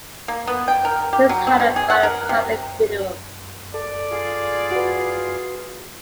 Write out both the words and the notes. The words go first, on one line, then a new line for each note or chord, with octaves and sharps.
He was honored by a public funeral.
A#3
B3
G5
A#4
G4
F#3
C4
B2
G#4
F#5
A#4
C3
A4 D5
F4 G#4
F#4 B4